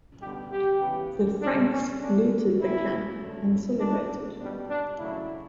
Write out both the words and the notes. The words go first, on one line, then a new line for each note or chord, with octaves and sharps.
The Franks looted the camp and celebrated.
D3 G3 B3 G4
G4
C#3 E3 B3
B2 A3 D4
C#4
D3 A3 D4
C#3 G3 B3 E4
D3 F#3 A3
B2 A3 D4
B2 G3 B3 D4
D4
C#3 F#3 A3 E4